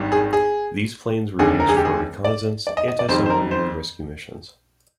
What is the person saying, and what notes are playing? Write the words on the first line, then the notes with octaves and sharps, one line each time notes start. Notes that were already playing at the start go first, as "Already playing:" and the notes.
These planes were used for reconnaissance, anti-submarine, and rescue missions.
Already playing: G#1 G2 D#3 G3
G#4
G#4
F1 D#2 D3 G#4
A#4
G#4
G4
G#4
D5
D5
D#5
D#5
D5
F2 D#3 G3 C5
C5
A#4
C5